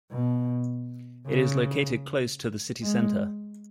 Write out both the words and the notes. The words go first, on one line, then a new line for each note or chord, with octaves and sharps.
It is located close to the city center.
B2
C#3
G#3